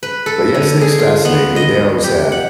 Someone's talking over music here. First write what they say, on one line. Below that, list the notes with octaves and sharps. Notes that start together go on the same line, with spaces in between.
but, yeah, snakes fascinate me, they always have.
B4
A4
D3
G#4
F4
B3
D#5
G4
F#5